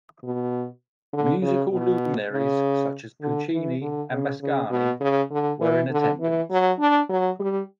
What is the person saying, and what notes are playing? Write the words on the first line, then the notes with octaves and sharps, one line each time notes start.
Musical luminaries such as Puccini and Mascagni were in attendance.
B2
D3
C#3
B2
C#3
D3
E3
D3
C#3
C#3
B2
C#3
D3
E3
D3
E3
F#3
D4
F#3
G3